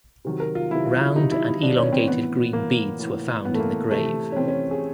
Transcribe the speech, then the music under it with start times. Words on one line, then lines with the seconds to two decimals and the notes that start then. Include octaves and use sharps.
Round and elongated green beads were found in the grave.
0.25 C3 D#3 F#3
0.40 A#4
0.55 F4
0.71 C3 D#3 F#3 E4
0.86 F4
1.01 E4
1.16 C3 D#3 F#3 D#4
1.32 E4
1.47 E4
1.62 C3 D#3 F#3 D4
1.78 C#4
1.93 C4
2.08 A2 E3 B3
2.53 A2 E3 A#3
2.99 A2 E3
3.45 A2 E3 B3
3.54 A3
3.60 A#3
3.91 C3 E3 A3
4.32 C#4
4.36 C3 E3 C4
4.48 C#4
4.71 G#4